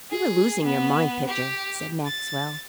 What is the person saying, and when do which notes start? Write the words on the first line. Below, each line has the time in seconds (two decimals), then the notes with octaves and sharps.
"You are losing your mind, Pitcher," said Maxwell.
0.10 G#4
0.65 B3
1.28 G4
2.06 A6